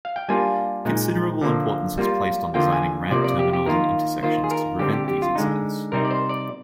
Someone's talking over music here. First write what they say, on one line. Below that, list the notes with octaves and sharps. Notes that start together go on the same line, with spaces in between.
Considerable importance is placed on designing ramp terminals and intersections to prevent these incidents.
F5
G5
G3 A#3 D4 F4 G#5
A#2 G#3 D#4
D3 F3 A#3
G3 A#3 F4
D3 F3 A#3 F4 G5
G#5
C3 F3 A#3 D5
D5
G4
G4
D#3 A#3 F4 A#4
D#3 A#3 F4 C5
G#4
A#4
D3 G3 C4 G4
G4
G4
F4
D3 G#3 D#4
C3 G3 C4 D#4 A#4
D5
C5
D5